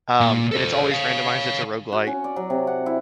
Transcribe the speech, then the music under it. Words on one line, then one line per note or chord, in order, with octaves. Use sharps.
um, and it's always randomized, it's a roguelite,
A#2
A4 C5
C#5 F5
F#4
C#4
D5
F#3
C3
F#5
E4